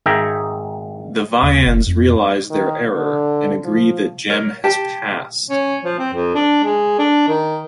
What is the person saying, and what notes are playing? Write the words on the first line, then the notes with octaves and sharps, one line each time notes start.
The Vians realize their error, and agree that Gem has passed.
G#1 D#3 G#4 E5 G5 A#5
D#2
F#1
F2
D#3
D3
F3
A#4 C#5
G4 A5
C#4
F3
C4
F2
D4
G#3
D4
D#3